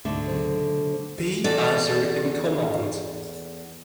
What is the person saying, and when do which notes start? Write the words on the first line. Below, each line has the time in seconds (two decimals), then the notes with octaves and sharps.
B. Azer in command.
0.05 D2 G#2 B2 D3 A3
0.28 C#3 F#3 C5
1.44 E2 A4 D5